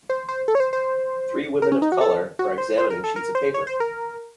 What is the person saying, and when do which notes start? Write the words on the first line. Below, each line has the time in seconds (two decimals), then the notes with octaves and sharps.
Three women of color are examining sheets of paper.
0.10 C5
0.29 C5
0.48 A4
0.55 C#5
0.60 C5
0.73 C5
1.62 A#4
1.72 C#4
1.82 D#4
1.92 F#4
2.01 A4
2.39 F#4
2.58 C5
2.78 C5
2.90 A#4
3.04 A4
3.16 A#4
3.35 C5
3.54 C#5
3.67 C5
3.80 A#4